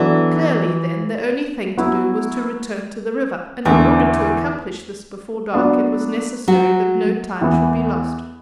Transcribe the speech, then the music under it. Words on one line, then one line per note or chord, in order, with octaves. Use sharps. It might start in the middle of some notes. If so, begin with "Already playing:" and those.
Clearly, then, the only thing to do was to return to the river; and in order to accomplish this before dark it was necessary that no time should be lost.
Already playing: E3 F#3 B3 D4 E4 A4
F#3 B3 E4
E2 D3 E3 A3 E4
F#3 B3 D4
F#3 F#4
E2 E3 B3